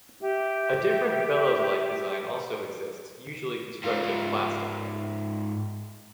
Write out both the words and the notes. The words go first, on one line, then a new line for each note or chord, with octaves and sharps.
A different bellows-like design also exists, usually constructed of plastic.
G4 E5
G#2 F4